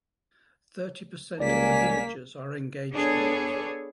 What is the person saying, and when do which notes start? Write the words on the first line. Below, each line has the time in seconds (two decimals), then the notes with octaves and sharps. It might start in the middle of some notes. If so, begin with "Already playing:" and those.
Thirty percent of the villagers are engaged in it.
1.40 C#2 G3 A#3 D5 G#5 B6
2.91 B3 D4 G#4 A4 C#5